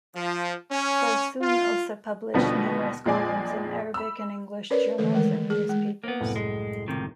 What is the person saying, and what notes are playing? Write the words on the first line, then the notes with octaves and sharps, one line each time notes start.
Farsoun also published numerous columns in Arabic and English journals and newspapers.
F3
C#4
F4
D#2 B2 D3 F3 G3 B3
A#1 F2 G#3 D5 G#5 D6
B5 E6
C#4 A#4 B4 C#5 D5
D3 E3 A3 A4
D#3 E3 G#3 A#4
G#4
G#3
A#3 B3
C2 F#2 A2
G#3
C#2 C3 D#3